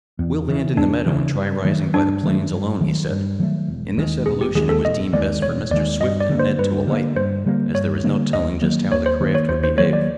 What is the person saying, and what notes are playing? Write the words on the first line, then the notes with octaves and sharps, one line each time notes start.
"We'll land in the meadow and try rising by the planes alone," he said. In this evolution it was deemed best for Mr. Swift and Ned to alight, as there was no telling just how the craft would behave.
E2
C#3 E3
E2 D4
C#3 E3
G2
D#3 F#3 A3
G2 D4
D#3 F#3 A3
G2
D#3 F#3 A3
G2
D#3 F#3 A3
E1
D#2 D#3 G#3
E1 G#4
G4
D#2 D#3 G#3 G#4
A4
E1 D#5
D#2 D#3 G#3 D5
E1 C#5
D#2 D#3 G#3 D5
G2 D#5
D5
D3 G3 A#3
C5
G2 B4
D3 G3 A#3
G2 C5
D3 G3 A#3
G2 C#5
D3 G3 A#3
D#2 D#5
D#3 F#3 A#3
D#2 C#5
C5
D#3 F#3 A#3
C#5
D#2 C5
C5
D#3 F#3 A#3 C#5
D5